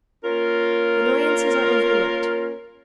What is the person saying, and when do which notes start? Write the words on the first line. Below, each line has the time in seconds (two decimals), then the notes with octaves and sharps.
Annoyances are overlooked.
0.23 A#3 C#4 F4 A#4